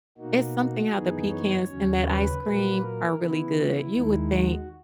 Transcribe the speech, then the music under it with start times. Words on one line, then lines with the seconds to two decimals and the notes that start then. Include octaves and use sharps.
It's something how the pecans in that ice cream are really good. You would think
0.18 B2 A#3 D#4 F#4
0.93 F#2 E3 B3 D#4 G#4
1.30 C#5
1.67 D#2 C#3 F#3 C#4
2.05 B4
2.42 A#2 F#3 A#3 B4
2.80 A#4
3.17 C#3 E3 B3 E4
3.54 E4
3.92 D#2 D#3 G#3 D#4
4.29 F#4